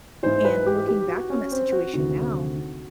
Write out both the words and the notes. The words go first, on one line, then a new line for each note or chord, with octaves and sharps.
And looking back on that situation now,
G#2 E3 C5
B4
G4
G4
F#4
C#4
C4
F#4
D2 C3 D#3 F#4